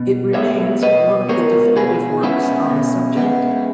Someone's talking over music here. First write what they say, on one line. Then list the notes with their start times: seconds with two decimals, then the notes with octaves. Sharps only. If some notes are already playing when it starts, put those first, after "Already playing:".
It remains one of the definitive works on the subject.
Already playing: B2
0.34 G#3 B3 C#5 E5
0.82 B2 B4 D#5
1.29 G#3 B3 A#4 C#5
1.76 B2 G#4 B4
2.23 G#3 B3 C#4 E4
2.70 B2
3.17 B3
3.22 G#3